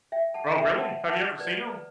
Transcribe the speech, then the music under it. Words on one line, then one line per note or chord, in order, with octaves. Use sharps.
Oh, really? Have you ever seen 'em?
E5 G5
F#5 A5
E5 G5
F#5 A5
F#5 A5
B4 D5
B4